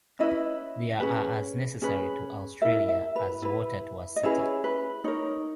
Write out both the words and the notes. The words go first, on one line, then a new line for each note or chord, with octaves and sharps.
They are as necessary to Australia as water to a city.
C#4 E4 B4 D#5
C#4 G#4 B4
C#4 G#4 B4
E4 A#4 E5
E5
B4
E4 B4
D#5
C#4 E4 G#4 B4 C#5
B4
D#4 A#4 C#5